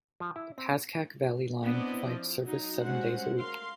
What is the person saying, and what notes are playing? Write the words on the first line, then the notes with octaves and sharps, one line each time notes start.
The Pascack Valley Line provides service seven days a week.
F3
E4
C4
B3 C4 D4 E4 D5 D#5
F3
F#3 D#4
G3 G#3 C#4 F#4 C5 F#5
A#4 F5 C6